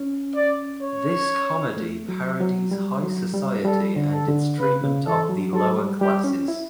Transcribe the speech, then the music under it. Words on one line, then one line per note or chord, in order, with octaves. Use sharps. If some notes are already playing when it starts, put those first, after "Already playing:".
This comedy parodies high society and its treatment of the lower classes.
Already playing: C#4
D5
C#5
A3
F#3
F#3
G3
F#3
G3
G3 A4
D3
A4
D3
C#3 B4
C#3
E3 A4
F#3
F#3 A4
G3
G3 G4
C#4
E4